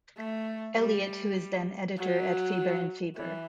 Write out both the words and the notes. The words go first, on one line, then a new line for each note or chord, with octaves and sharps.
Eliot, who was then editor at Faber and Faber.
A3
G3
F#3
E3